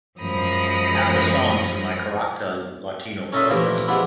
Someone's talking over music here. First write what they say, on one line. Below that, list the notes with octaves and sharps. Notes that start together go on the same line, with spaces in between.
Add the song to my carácter latino playlist.
F#2 F3 G#3 A#5 B5 D#6
C#4 D#4 A4 D#5 E5 C6
A#2 E3 F3 A3 G4 A#4
F3 G#3 B3 D4 E4 G4